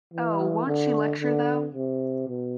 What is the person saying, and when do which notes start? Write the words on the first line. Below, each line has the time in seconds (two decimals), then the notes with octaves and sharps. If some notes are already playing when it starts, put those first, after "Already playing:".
Oh, won't she lecture though!
0.13 E3
0.66 D3
1.21 D3
1.75 C3
2.28 B2